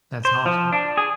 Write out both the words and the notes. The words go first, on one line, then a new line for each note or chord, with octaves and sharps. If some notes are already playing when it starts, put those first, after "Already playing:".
That's awesome.
C5
F3
D4
G#4